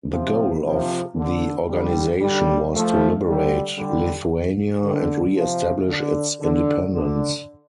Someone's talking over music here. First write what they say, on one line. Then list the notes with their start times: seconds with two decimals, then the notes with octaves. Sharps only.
The goal of the organization was to liberate Lithuania and re-establish its independence.
0.11 C3 F3
0.64 C3 F3
1.16 D3
1.69 D3 G3
2.21 D3 G3
2.74 F3 A3
3.26 D3 G3
3.78 D3 G3
4.83 D3
5.35 C3 F3
5.88 D3
6.41 D3
6.93 D3